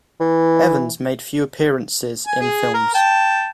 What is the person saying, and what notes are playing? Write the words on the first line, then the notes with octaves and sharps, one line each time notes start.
Evans made few appearances in films.
E3
G#5
G#4
A#4
G5 A5